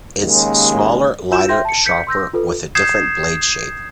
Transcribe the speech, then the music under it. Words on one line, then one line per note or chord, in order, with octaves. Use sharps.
It's smaller lighter sharper with a different blade shape.
D#2 C#3 G#3
F4 F#4 E6 G6 E7
E5 G5 C6 G6 A#6
A5 C#7
G6 B6 C#7
C6 E6 G6 A#6
F4 A4 B4
D#6 G6 G#6 C7 E7